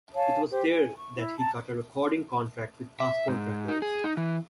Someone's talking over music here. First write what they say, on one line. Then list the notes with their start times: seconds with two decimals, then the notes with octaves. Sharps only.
It was there that he got a recording contract with Passport Records.
0.15 C#5 F5 G#5 A5
0.51 G4 C5
0.71 G#5
0.98 C#6
1.17 E4
1.38 A5 A#5
3.00 E5
3.28 G#2
3.68 D#4
3.82 G#4
4.04 D#4
4.17 E3